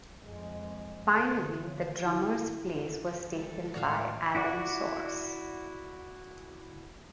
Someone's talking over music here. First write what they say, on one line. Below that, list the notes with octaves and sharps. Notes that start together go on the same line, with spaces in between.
Finally, the drummer's place was taken by Alan Sors.
F2 G#3
D3
C#5
E4
G3 G#3 A4
A2 F#4 C#5 D5 F5
E4 F#4 D5 F#5